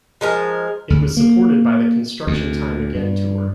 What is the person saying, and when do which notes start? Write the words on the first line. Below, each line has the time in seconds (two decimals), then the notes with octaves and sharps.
It was supported by the Construction Time Again Tour.
0.21 F3 G#3 A#4
0.90 D2
1.17 A#3
2.27 D2
2.95 G2